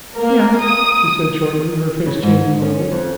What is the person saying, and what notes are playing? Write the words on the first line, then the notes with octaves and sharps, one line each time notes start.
"Yes," she said shortly, her face changing a little.
A#3 A#4
D#6
C#3
G#2
C#4
F2